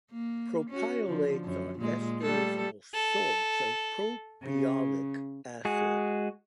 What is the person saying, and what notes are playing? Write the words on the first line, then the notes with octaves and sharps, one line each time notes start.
Propiolates are esters or salts of propiolic acid.
A#3
C#4 F#4
D3 F3
F#2
A#2 G#3
G3 A3 A4
A4
C#3
G#3 F#4 G#4